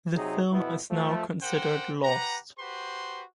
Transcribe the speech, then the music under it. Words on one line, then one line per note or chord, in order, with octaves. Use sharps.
The film is now considered lost.
C3 F#3 D#4 G#4
F2 B2 B3 E4
F3 A3
G4 A#4 C5 F#5 G5
G4 B4 F#5 A#5
F#4 G4 B4 C5 C6